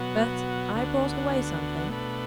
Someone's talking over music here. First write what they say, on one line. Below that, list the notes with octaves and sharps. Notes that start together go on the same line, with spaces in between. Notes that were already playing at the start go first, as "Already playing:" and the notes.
But I brought away something.'
Already playing: B2 F#3 B3 F#4
D2 D3 B3 D4 F#4
B2 A3 D4 B4